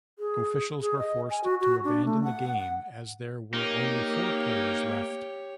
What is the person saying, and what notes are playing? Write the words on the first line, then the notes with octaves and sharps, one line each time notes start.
Officials were forced to abandon the game as there were only four players left.
G#4
G#4
D#5
G#5
F#4
F#4
D4
A3
F#5
F#5
A#3 D#4 G4 C#5